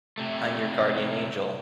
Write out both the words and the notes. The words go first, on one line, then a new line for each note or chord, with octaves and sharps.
I'm your guardian angel.
C3 A3